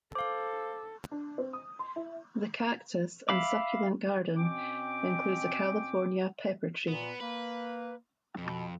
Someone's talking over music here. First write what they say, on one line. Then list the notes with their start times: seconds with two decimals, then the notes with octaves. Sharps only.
The Cactus and Succulent Garden includes a California pepper tree.
0.15 A4 C5 F5 D6
1.11 D4
1.38 C4
1.53 D#6
1.79 C6
1.96 E4
3.29 E5 F5 B5 D6
4.37 B2 C4 C#4 G5 D6
6.88 A#2 B3
7.20 A#3 B4
8.38 F2 B2